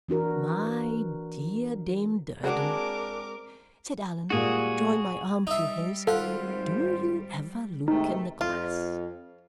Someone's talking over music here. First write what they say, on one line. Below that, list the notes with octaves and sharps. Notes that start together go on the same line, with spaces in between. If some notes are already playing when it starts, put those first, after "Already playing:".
"My dear Dame Durden," said Allan, drawing my arm through his, "do you ever look in the glass?"
E3 D4 F#4 A#4
G#3 C4 D4 F#4 G#4 A#4 D6
A#2 G3 G#3 F#4 G#4
G3 D#4 E5
G#1 F4 A4 C5 F#5
G#2 C3 D#3 A3 D#4
F2 F4